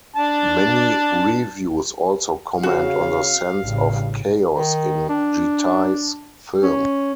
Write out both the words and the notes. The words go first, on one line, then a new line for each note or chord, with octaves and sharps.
Many reviews also comment on the sense of chaos in Gitai's film.
D4 A5
C#3 F#4 F5
A1 G2 C#3
D#3
D4
C#4